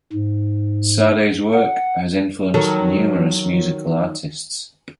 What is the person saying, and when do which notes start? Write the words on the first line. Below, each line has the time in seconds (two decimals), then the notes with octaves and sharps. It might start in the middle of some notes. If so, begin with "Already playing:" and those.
Sade's work has influenced numerous musical artists.
0.13 G#2
1.53 F#5
2.54 D#3 F#3 A4